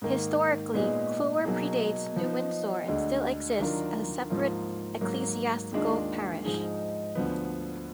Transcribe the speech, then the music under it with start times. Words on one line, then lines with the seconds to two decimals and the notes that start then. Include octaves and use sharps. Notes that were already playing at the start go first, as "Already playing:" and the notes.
Historically, Clewer pre-dates New Windsor and still exists as a separate ecclesiastical parish.
0.02 G#2 D#3 A#3
0.74 A#2 G#3 B3 D#4 G#4
1.45 B2 F#3 A#3 D#4 G#4
2.16 F3 B3 D#4
2.88 D2 D3 G#3
3.58 D#3 F#3 D4 F4 A#4
4.30 G#2 F3 A#3 F4
5.01 G#2 F#3 A#3
5.72 D#2 D#3 G#3 D4 F4
6.44 G#2 F3 G#3 D#4 G#4
7.15 D2 D3 F3 B3